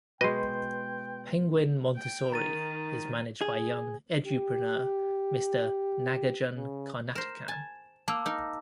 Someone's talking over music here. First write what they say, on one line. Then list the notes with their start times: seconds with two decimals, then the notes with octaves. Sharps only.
Penguin Montessori is managed by young edupreneur Mr. Nagarjun Karnatakam.
0.21 B2 G#3 B4 D#5 G5 C6
1.97 G5
2.32 D#3 A#5 A6 D#7
3.41 G#4
4.26 G4
6.56 C#3
7.15 A#4 C5 E7
7.48 G#5 A5
8.08 A#3 A5 D6 E6
8.26 D#4 A#4